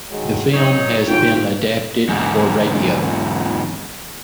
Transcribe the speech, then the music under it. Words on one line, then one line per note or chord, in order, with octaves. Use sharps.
The film has been adapted for radio.
D#3 F#3 G#3
G#2 B2 F#3 C4 D#4 C#5
E2 G#2 C3 D#3 F4 G5
E2 G#2